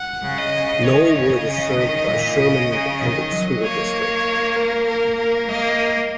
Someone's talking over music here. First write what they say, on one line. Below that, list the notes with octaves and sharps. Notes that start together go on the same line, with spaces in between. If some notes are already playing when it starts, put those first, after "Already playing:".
Knollwood is served by Sherman Independent School District.
Already playing: F#5
C#3
D#5
C#3
D#3 C#5
C#3
D#5
C#3
D#3
A#2
C#3
C#3
D#3
F#3
A#3 C#5
A#4
A#4
A#4
A#3 D#5